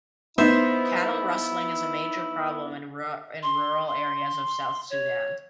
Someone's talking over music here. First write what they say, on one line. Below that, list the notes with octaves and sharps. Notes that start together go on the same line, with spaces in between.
Cattle rustling is a major problem in rural areas of South Sudan.
B3 D#4 E4 C5 E5
C6
C6
C#5